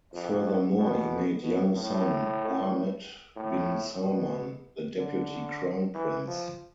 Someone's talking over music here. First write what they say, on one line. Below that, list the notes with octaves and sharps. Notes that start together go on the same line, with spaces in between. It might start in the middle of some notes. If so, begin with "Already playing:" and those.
Furthermore he made young son, Mohammed bin Salman the Deputy Crown Prince.
F2
B2
B2
A2
A2
B2
D3
E3
F3